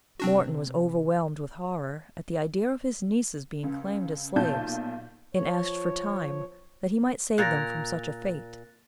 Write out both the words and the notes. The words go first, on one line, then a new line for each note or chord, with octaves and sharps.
Morton was overwhelmed with horror at the idea of his nieces being claimed as slaves, and asked for time, that he might save them from such a fate.
C3 C4 D4 F#4
C#2
B1 A#2 A5 G6
F3 C#5
A#2 A#4 F#6 A6 A#6